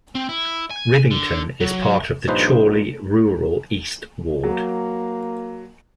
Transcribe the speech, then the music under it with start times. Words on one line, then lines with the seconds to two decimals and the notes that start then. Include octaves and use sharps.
Rivington is part of the Chorley Rural East ward.
0.15 C4
0.29 E4
0.71 G#5
1.11 D3
1.60 F#3
2.28 A#1 G2 F3 D#4 B4 C5
4.44 F#3 A#3